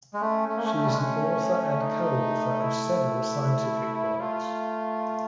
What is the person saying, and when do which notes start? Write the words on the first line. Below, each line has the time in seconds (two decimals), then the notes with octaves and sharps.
She is an author and co-author of several scientific works.
0.14 G#3
0.21 A3 C#4
0.49 A3
0.57 A#3
0.65 A3
0.75 A3
0.84 G3
0.92 G#3
1.02 A3
1.81 D#4
2.61 E4
4.20 A3 F4